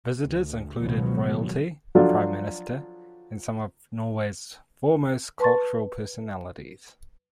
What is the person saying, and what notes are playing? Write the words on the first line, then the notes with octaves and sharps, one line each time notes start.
Visitors included royalty, a prime minister, and some of Norway's foremost cultural personalities.
D2
C#2 B2 D#3 F3 F#3 B3
F3 F#3 D4 F4 A4
B4 A5 C6 C#6 A6